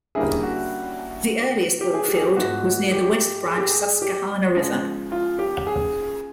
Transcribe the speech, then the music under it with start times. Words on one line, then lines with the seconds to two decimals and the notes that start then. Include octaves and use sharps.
The earliest ballfield was near the West Branch Susquehanna River.
0.15 D3 G3 A#3 C#4 E4 G#4
0.43 F#4
1.81 G4
1.94 G#4
2.08 G4
2.16 G#4
2.23 G4
2.36 G#2 F3 G#3 B3 E4 F#4
2.91 G4
3.45 G#4
3.58 G4
3.69 G#4
4.02 G4
4.56 C#3 F3 G#3
5.12 F4
5.39 G4
5.67 G#4